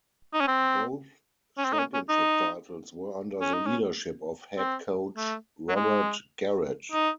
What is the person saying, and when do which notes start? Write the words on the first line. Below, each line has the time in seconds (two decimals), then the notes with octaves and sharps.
Both Championship titles were under the leadership of Head Coach Robert Garrett.
0.33 D#4
0.40 C#4
0.48 C4
1.58 C#4
1.65 C4
1.73 D#4
1.79 C#4
1.94 C#4
2.09 D#4
3.41 C#4
3.54 D#4
3.66 C#4
4.58 C4
5.17 A3
5.69 F#3
5.76 G#3
6.92 D#4